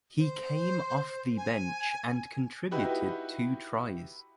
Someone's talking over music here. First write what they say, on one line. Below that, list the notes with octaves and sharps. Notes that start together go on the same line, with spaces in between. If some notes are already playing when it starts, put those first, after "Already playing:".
He came off the bench and contributed two tries.
C5
G#5
D#4 E4 F#4 G4 B4